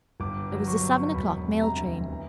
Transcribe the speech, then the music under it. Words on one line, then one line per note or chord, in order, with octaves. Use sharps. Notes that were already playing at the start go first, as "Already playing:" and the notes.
It was the seven o'clock mail train.
G1 D6
F#3
C#6
F#3
E1 B5
C3
A#5
D2
E3